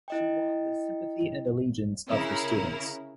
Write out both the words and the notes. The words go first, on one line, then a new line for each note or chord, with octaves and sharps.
She won the "sympathy and allegiance" of her students.
E4 D#5 G5
C#3 E4 A#4